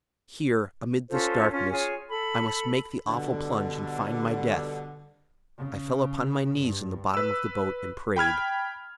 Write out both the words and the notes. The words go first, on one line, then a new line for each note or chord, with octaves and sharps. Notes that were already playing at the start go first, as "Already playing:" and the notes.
Here, amid this darkness, I must make the awful plunge and find my death I fell upon my knees in the bottom of the boat and prayed.
C#4 F4 A4 C5
C#4 F4
F4 G#4 C#5 G#5
A4 B5
G2 B2 D3
C#3
G2
B4 E6
G5 B5 F6 G#6